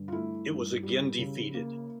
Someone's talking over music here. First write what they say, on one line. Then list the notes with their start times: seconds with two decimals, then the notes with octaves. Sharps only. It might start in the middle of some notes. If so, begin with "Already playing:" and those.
It was again defeated.
Already playing: G2 D3
0.08 F4
0.12 A3 E4
0.48 G2
0.83 G3
1.18 C#3
1.54 A#3